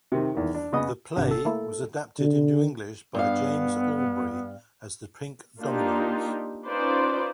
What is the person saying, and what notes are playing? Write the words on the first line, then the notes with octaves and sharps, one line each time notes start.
The play was adapted into English by James Albery as "The Pink Dominos".
C3 D#3
E2 D#3
D4
C#3 B3 D#5 D#6
G#1 C3 D4 F#5
A4
A3 A#3 E4
D3
G2 B3 F5
A#3 D4 D#4 F4 G4
C#4 D#4 F4 B4 C5 D5